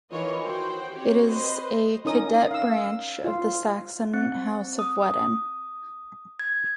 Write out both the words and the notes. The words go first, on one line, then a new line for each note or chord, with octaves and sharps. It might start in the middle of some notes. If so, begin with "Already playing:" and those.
It is a cadet branch of the Saxon House of Wettin.
D#3 E3 E4 F4 C#5 D#5
F#4 C5 G5
C4 F#4 G4 C#5
B4 C5 D#5
C#4 D#4 A#4 D#6
F5 E6
F4
C4
D#6
G#6